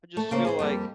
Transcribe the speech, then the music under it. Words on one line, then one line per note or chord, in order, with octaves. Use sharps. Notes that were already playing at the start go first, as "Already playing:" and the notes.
I just feel like,
A3
C#3 A#3 C5
G#4 A#4 C5
F2 G3 A#3